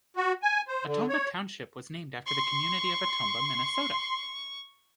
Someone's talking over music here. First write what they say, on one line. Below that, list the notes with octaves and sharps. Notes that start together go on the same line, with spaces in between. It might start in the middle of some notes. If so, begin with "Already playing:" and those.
Automba Township was named after the community of Automba, Minnesota.
F#4
G#5
C5
D3
C#5
C6 C#6